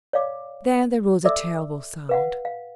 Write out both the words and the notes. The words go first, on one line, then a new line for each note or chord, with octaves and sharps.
Then there rose a terrible sound.
C#5 D5 F5 D6
A4 D5 E5 D6 E6
B4 F5 F#5
F5